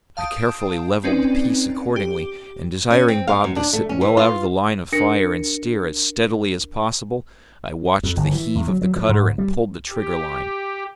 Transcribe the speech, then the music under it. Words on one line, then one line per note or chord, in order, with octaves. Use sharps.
I carefully levelled the piece accordingly, and desiring Bob to sit well out of the line of fire and steer as steadily as possible, I watched the heave of the cutter, and pulled the trigger-line.
F5 A5 D#6 G6 D7
C4 C#4 D#4 B4 D5
G4
C#4
C4
F5
F#2
D4
A3
C#4
E3
F4
D4 A#4 A#6 C#7
F2
G1
E3
E2
F#3
F#3
F3
G#2
G3
G4